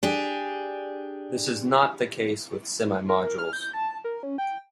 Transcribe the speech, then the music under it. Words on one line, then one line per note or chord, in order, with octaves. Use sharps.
This is not the case with semimodules.
D4 G4 G#4
A#4
F6
G6
A5
A#4
C#4
G5